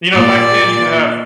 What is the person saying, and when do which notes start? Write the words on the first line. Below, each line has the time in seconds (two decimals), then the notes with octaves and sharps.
You know, back then, you could have
0.13 A#2 D5